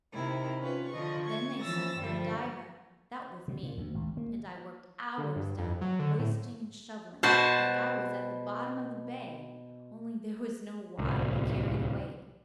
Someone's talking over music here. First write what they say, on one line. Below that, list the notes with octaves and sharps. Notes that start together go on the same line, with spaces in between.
Then they sent for a diver--that was me--and I worked hours down there hoisting and shoveling, like I was at the bottom of the bay, only there was no water to carry the weight.
C3 D#3 E4
C#4 F4 B4
D3 F3 D#5 C#6
C#6 G#6
E3 F3 C#4 E6 A6 A#6
G2 D3 F3 G3
B2
A#2
D2
G#1
A#3
D3
G2
F2
F#3
D3
A2
B2 F#4 C5 A5
D1 C2